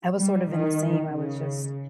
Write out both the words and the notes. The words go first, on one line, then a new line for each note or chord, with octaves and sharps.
I was sort of in the same, I was just
G3
D#3
C#3